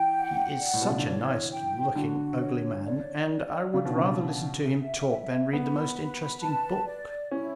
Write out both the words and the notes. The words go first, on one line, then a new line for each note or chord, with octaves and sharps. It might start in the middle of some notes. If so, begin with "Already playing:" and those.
He is such a nice-looking ugly man, and I would rather listen to him talk than read the most interesting book....
Already playing: E3 G5
F#5
D5
A2
B2
C#3
D3
E3 C#5
G5
D3 F#4
C#5
D5
D5
C#3 D4
B2
C#3
D4
E5
E5
B3 B5
B4
A5
D5
C#4 E4